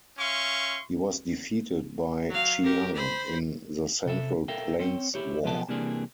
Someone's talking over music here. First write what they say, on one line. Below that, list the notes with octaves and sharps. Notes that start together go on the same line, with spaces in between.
He was defeated by Chiang in the Central Plains War.
C#4 E5 F5 C6 C#6
F#3 F5
G4 A#4
C5 B5
C3 A4 E5
A4 A#4 E5 F5 G5
C4 C#5 G5
E4 G4 C#5
B1 F3 B3 G4 D#5 A5
C3 E3 G3 A#3 D4 G#4